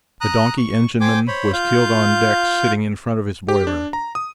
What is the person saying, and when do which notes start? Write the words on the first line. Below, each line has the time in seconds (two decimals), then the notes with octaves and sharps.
The donkey engineman was killed on deck sitting in front of his boiler.
0.21 A#5 D#6 F#6
0.58 C#6
1.01 C5 G5 G#5 D6
1.27 C5 C#5 B5
1.53 F4 F5 G6
3.49 G4
3.67 D4
3.93 A#5
4.15 D#6